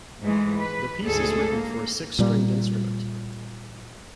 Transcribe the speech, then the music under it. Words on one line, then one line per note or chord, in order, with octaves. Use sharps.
The piece is written for a six-stringed instrument.
G#2 E3 G#3 A3
B4
D2 G#2 G#4 A4
A#3
A#2 G3